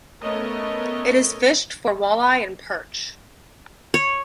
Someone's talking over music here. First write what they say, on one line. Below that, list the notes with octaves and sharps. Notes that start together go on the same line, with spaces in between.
It is fished for walleye and perch.
A3 B3 C#4 A#4 C#5 D#5
C#5